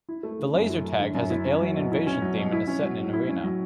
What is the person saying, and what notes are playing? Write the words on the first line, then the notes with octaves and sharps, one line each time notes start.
The laser tag has an alien invasion theme and is set in a arena.
E4
A3
D3
F#2
E4
A3
D3
F#2
E4
C#4
F#3
B2
E4
C#4
F#3
B2
E4
C#4
F#3
A2
E4
C#4
F#3